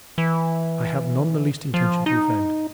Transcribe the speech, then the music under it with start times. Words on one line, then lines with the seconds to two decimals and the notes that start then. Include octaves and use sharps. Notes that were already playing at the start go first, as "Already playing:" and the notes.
I have none the least intention to offend.
0.18 E3
1.74 F3
2.06 D#4